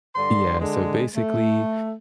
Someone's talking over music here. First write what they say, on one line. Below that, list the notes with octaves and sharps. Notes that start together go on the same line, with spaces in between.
Yeah, so, basically,
G2 D3 C6
D3 G#3
A3